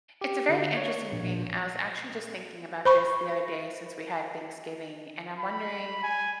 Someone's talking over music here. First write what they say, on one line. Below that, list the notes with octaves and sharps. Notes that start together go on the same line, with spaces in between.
It's a very interesting thing. I was actually just thinking about this the other day since we had Thanksgiving, and I'm wondering
G4
D3
C#5
A#1
C5 B5 C#6
B5
G#5